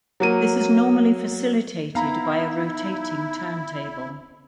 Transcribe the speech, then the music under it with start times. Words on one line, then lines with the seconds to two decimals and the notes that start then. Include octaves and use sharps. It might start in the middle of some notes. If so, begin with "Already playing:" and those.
This is normally facilitated by a rotating turntable.
0.20 F#3 A#3 D#7
1.95 B3 D#4 E4 F5 A#5 B5